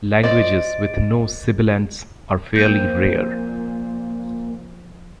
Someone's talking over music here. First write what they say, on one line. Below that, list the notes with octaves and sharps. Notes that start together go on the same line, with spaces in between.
Languages with no sibilants are fairly rare.
C5 D5 D#5
A#2 F3 C4 G6 D#7